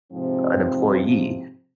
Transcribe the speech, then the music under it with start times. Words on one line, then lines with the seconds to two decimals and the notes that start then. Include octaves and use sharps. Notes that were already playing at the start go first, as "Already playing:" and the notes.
an employee,
0.12 G#2 C3 F3 C4